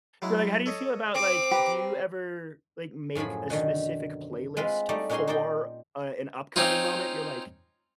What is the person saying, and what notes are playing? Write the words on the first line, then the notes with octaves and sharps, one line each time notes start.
But, like, how do you feel about, like do you ever, like, make a specific playlist for, uh, an upcoming moment? You're like
F#3 G#3 E4
A4 C#5 D#5
C4 D6
G4 B4 A#5
F#2 A2 F3 G#4 B5
B2 D3 D#3
G#3 C4 F4 B4
G3 A3 D#4 D5
A#2 C#4 D#4 F#4 G#4 C6
D#4 C5 D5 G5
C4 C#4 D#4 F4